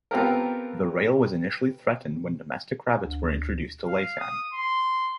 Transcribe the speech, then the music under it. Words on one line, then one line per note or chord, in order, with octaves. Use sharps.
The rail was initially threatened when domestic rabbits were introduced to Laysan.
B3 C4 F4 G4 A4 A#4
D2
F5
D#6
C6